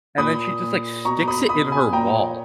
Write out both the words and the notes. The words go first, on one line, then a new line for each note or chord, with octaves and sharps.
and then she just, like, sticks it in her wall.
A#2 B5 D#6
A#2
B2 A#5 C#6
B5 D#6
B2 B5 D#6
G#5 B5
A#2 G5 A#5
C#5